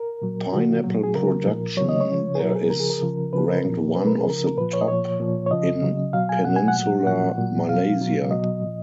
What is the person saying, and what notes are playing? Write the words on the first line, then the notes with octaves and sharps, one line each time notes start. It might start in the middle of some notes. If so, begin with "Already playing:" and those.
Pineapple production there is ranked one of the top in Peninsular Malaysia.
Already playing: A#4
A#2 F#3
C#3 F3 F#4
A#2 F#3
G#4
C#3 F#3 A#4
A#2 F3
C#3 F#3 C#5
D#5
C#5
C#3 F3
G#4
B2 F#3 A#4
G#4
C#3 F3 A#4
G#4
A#4
C#3 F3
C#3 F3 B4
A#4
A#2 F3
B2 F#3 B4
A#4
G#4
C#3 F3 A#4
A#4
A#2 F3 B4
C#5
D#5
A#2 F3 C#5
A#2 F3
C#5
C#3 F3 D#5
C#3 F#3
B2 F#3 F5
G#5
B2 F#3 F#5
G#5
F#5
A#2 F#3
A#2 F3 F#5
A#2 F#3
B2 F#3 F5
B2 F#3
B2 F#3 D#5
A#2 F3